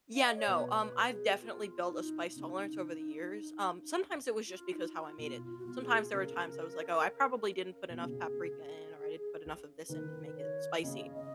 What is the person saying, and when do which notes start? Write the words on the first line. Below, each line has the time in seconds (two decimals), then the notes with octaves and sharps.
Yeah, no, um, I've definitely built a spice tolerance over the years, um, sometimes it was just because how I made it, sometimes there were times I was, like, "Oh, I probably didn't put enough paprika in or I didn't put enough of this in to make it spicy."
0.15 F5
0.25 D#5
0.37 C#5
0.47 B2 B4
0.79 B4
1.11 G#4
1.41 F4
1.78 F4
1.89 D#4
2.36 C#3 D#4
4.47 F4
4.71 D#4
4.94 F4
5.18 B2 F4
5.50 F4
5.58 F#4
5.65 B2 F4
5.81 G#4
6.13 C#3 A#4
7.90 B2
8.01 C#3 G#4
9.89 D#3 B4
10.37 C#5
10.83 C#3 D#5
11.15 D#5